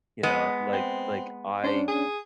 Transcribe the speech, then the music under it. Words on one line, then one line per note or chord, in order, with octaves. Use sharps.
You know? Like like, I,
G#3 B3 D#5
C4
C#4 D4 C5
G#4